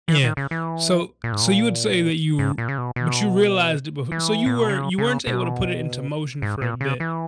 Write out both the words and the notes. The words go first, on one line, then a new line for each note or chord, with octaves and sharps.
Yeah, so so you would say that you but you realized it be so you were you weren't able to put it into motion for a bit,
E3
D#3
C#3
E3
A#2
G#2
A#2
G#2
A#2
C#3
B2
B2
E3
A#2
B2
C#3
C#3
B2
G#2
A#2
C#3
E3